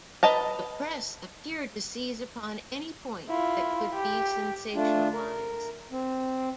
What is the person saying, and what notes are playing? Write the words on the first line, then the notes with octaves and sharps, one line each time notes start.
The press appeared to seize upon any point that could be sensationalised.
B4 D#5 A5 A#5
E4 F4
G4
A3 D4 F4
A#4
C4